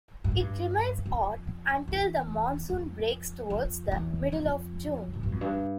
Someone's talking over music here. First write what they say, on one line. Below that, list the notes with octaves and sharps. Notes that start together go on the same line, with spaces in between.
It remains hot until the monsoon breaks towards the middle of June.
G2
A2
G2
F2
E2
F2
F2
E2
F2
A2
G2
F2
G2